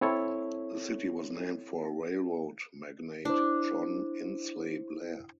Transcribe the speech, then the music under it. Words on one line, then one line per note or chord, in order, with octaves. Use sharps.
The city was named for railroad magnate John Insley Blair.
C4 E4 A4 C#5
D4 E4 C5